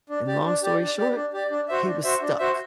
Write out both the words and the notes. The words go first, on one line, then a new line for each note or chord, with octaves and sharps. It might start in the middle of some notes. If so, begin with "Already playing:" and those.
and long story short, he was stuck.
D4
G4 D5
D4
G4 D5
D4
G4 D5
D4
G4 D5
D4
F#4 C5 E5
D4
F#4 C5 E5
D4
F#4 C5 E5